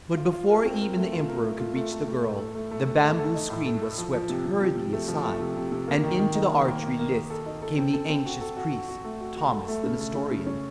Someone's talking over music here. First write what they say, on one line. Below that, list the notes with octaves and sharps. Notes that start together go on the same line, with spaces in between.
But before even the emperor could reach the girl, the bamboo screen was swept hurriedly aside, and into the archery lists came the anxious priest, Thomas the Nestorian.
F4
F4
A#4
C4
A#4
A3
F4
A#4
A3
F4
A3
A3
A3
A2
A4
A3
A3
A4
A3
A4
D#4
A2
A4
A4
F3
F3
C3
C3
C3
C3
A3
F3
A3
C3
C3
C3
A#3
D#3
D#3
D#4
A#3
A#3
A#3
A#3
A#3
A4
D#4
A4
C4
A4
C4
F#4
A4
F#4
F#4
F#4
A3
F#4
F#4
A4
A3
C#3
A3
C#3
C#3
C#4